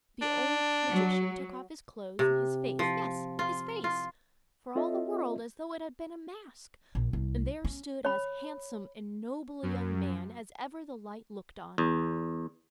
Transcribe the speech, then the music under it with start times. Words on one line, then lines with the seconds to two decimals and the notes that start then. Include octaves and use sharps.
The old magician took off his clothes and his face--yes, his face--for all the world as though it had been a mask, and there stood as handsome and noble a young man as ever the light looked on.
0.22 D4
0.89 F#3
2.19 C3
2.79 F3
3.39 F4
3.84 F4
4.75 C4 F4 A4 C#5 D#5 E5
6.95 A#1
7.13 C2
7.65 C#4
8.05 C#5 B5
9.63 F#2
11.78 E2